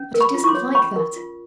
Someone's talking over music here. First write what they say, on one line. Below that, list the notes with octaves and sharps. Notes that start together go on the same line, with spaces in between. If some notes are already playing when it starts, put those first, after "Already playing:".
But it isn't like that.
Already playing: C#4
A#4
B5 C#6
F4
C#6
C6 D6
C#5
C#4 B5 C#6
A#4
F4